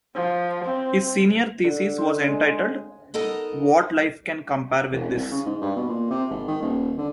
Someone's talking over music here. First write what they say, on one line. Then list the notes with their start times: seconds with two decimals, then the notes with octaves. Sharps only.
His senior thesis was entitled What Life Can Compare with This?
0.15 F3
0.65 C4
1.64 D3
1.98 C5
2.28 G#3
2.41 G#4
3.14 B3 D#4 A4 A#4 D#5
4.91 E1
5.09 C2
5.31 C#3
5.46 G#2
5.61 G2
5.76 B2
5.88 A#2
6.10 C3
6.30 G#1
6.48 D#3
6.62 D#1
6.98 D3